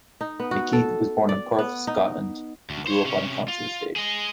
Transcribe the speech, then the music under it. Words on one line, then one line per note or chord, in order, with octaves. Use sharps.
McKeith was born in Perth, Scotland, and grew up on a council estate.
D#4
B3
F#4
A4
D5
B3
D#4
D2
C5 C#5
C3 C#4
F4
G#4 D#5